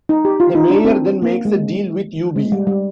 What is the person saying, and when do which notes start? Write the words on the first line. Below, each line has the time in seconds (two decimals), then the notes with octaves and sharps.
The mayor then makes a deal with Eubie.
0.09 D#4
0.25 G4
0.40 F4
0.55 D#4
0.70 D4
0.85 C4
1.22 A#3
1.45 G#3
2.36 G#3
2.52 G3
2.67 G3